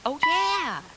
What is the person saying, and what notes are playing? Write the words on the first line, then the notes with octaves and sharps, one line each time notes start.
Oh, yeah.
B5